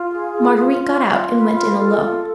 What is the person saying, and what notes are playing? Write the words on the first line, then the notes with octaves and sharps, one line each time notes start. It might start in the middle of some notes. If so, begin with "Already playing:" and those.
Marguerite got out and went in alone.
Already playing: F4
G#4
F4
F4
F4
F4
B4
F4
A4
F4